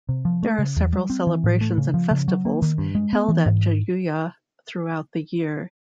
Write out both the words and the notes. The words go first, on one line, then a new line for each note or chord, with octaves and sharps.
There are several celebrations and festivals held at Jayuya throughout the year.
C3
F3
A3
C#3
E2
G3
C4
E3
A2
A3
C#3
F3
C#3
F#3
A#3
D#3
G2
G#3
B3
E3
G#2